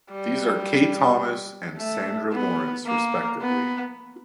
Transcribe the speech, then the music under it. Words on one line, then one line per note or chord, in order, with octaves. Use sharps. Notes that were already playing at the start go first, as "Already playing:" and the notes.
These are Kay Thomas and Sandra Lawrence respectively.
G3
A3
B3
A#3
B3